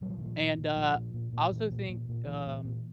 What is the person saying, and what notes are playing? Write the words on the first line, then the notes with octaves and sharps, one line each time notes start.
and, uh, I also think, um
A#2 F#3
F3
A#2 E3
F3
A#2
A#2
A#2 F3
A#2
A#2
A#2
A#2 E3
A#2
A#2
A#2
A#2 E3
A#2
A#2